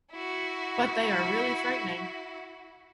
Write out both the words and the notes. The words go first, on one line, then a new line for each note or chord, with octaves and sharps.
But they are really frightening.
E4 F#4